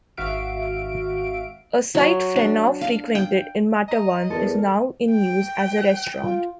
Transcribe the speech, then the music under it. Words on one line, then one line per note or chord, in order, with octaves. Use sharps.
A site Freneau frequented in Matawan is now in use as a restaurant.
G#1 F#4 E5 F5 D7
F#3
D4
F5
G5
D#5 A#5
E2 A4 A#4
G5
F4